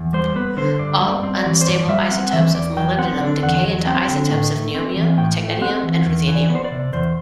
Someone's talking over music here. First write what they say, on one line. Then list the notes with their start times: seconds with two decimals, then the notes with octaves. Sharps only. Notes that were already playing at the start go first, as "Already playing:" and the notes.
All unstable isotopes of molybdenum decay into isotopes of niobium, technetium, and ruthenium.
Already playing: E2
0.13 G3 C5
0.36 B3 B4
0.57 D3 C5
0.79 G2 D5
1.01 G3
1.08 D5
1.23 C4
1.38 D5
1.46 E3
1.61 C5
1.67 G2 D5
1.89 G3 E5
2.11 C4 F#5
2.33 E3 E5
2.55 E2 D5
2.77 F#3 G5
2.99 C4 F#5
3.20 D3 D5
3.43 E2 F#5
3.64 F#3
3.87 C4 G5
4.08 D3
4.31 A2
4.52 A3
4.75 C4
4.96 E3
5.17 A2 G5
5.39 A3
5.61 C4 F#5
5.83 E3
6.06 E2
6.27 E3
6.35 D5
6.49 B3
6.55 C5
6.64 D5
6.71 C3
6.93 E2 C5